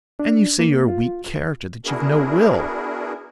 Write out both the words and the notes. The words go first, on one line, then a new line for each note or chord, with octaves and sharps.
"And you say you're a weak character, that you've no will."
D4
A#3
F4
B3 D4 E4 F#4 G#4 A#4